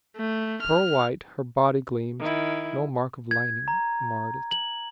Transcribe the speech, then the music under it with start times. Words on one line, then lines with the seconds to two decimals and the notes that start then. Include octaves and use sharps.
Pearl white her body gleamed; no mark of lightning marred it.
0.17 A3
0.62 F6
2.20 D#3 E4
3.31 G#6
3.68 A#5
4.51 F#7